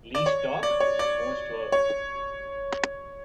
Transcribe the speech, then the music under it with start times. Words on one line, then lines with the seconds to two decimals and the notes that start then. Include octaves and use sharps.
Least talk most work.
0.15 D5
0.26 C#5
0.63 D5
0.80 C#5
0.99 D5
1.72 C#5